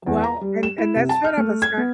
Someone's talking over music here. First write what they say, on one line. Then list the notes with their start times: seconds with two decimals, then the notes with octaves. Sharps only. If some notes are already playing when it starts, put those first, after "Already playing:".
Well, and and that's what I was going
0.06 E2
0.24 A#5
0.41 G3
0.63 E7
0.78 E4
0.95 C3
1.09 A5
1.24 F6
1.37 A3
1.62 G#6
1.77 B3